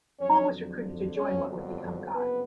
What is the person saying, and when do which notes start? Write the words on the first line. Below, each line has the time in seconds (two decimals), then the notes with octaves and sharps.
Hall was recruited to join what would become Guy.
0.20 F2 D3 F#3 C#4 C#5
1.16 G1 F2 D3 F#3 C#4 C#5
2.14 F#1 F2 C3 B3 B4